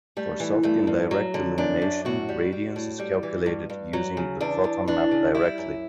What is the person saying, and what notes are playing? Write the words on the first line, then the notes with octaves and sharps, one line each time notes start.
For soft indirect illumination, radiance is calculated using the photon map directly.
G3 A3
E3
G2 A3
G2
F#3
D3
F#2 D4
F#2
A2 F#4
G3
G3
A2
G3
E3
G2
G2
F#3
C#3
E2 D4
E2
E3 D4
C#3
G3 E4
F#2